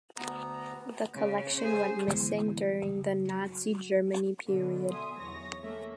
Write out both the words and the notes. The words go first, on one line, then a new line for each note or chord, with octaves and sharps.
The collection went missing during the Nazi Germany period.
D2 B3 A#5
C#3
G#4 C5
D1 E3 G#3 B3
F#1
F#3
B2 D3
E5 G#5 C6 D#6
B1 E2 C#5 A#6
A3 A#3 C#4 E5